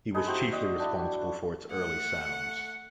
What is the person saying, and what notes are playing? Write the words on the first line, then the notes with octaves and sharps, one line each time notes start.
He was chiefly responsible for its early sounds.
D#4 G#4 A4 B4
C4 E4 F#4 G4
D5 D#5
D4 E4
F#4
A3 F#5